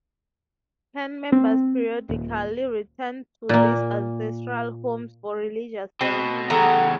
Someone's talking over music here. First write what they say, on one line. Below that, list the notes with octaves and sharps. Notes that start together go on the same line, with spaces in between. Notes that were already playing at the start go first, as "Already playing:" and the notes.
Clan members periodically return to these ancestral homes for religious ceremonies.
C4
D#1
A#2 A#3
B2 C4
E2 C#3 G4 A4 F#5 A#5